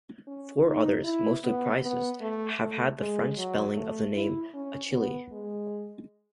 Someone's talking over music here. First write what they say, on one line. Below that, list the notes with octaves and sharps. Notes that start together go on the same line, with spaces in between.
Four others, mostly prizes, have had the French spelling of the name, "Achille".
C#4
D#4
E4
B3
B3
A3
A3
G#3
F#3
A3
E4
C#4
B3
G#3